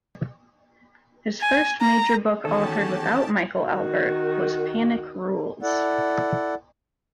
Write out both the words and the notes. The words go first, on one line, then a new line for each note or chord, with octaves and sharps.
His first major book authored without Michael Albert was "Panic Rules".
G#5
A#5
E2 D#3 C#4 F#4 G4 A4 A5
D#3 F#4
E4 A4 D5 F#5